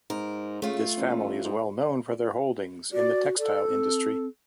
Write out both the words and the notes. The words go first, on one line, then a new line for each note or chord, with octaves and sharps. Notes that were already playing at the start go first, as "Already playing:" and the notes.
This family is well known for their holdings in the textile industry.
G#2 A#4
C#3 A3 F4
A1
G#2
F#4 D5
A4 D5
C4